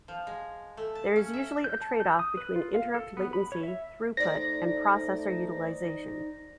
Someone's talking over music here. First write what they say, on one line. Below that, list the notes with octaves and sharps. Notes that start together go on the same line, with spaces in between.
There is usually a trade-off between interrupt latency, throughput, and processor utilization.
F3
G#3
A3
A5
C#4
E5
G6
A5
G6
D#6
B4
F4
F5
A4
B3
B5
C#5
E5
A3 D#4 C5 D5 A#6